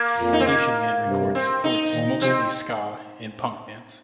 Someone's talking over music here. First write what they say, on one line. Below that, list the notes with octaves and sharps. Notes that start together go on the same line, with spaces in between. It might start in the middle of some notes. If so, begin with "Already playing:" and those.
Asian Man Records supports mostly ska and punk bands.
Already playing: A#3
F2 A#2
D#4
C4
A#3
G2 C3
C4
D#4
A#2 D#3
C3 F3 C4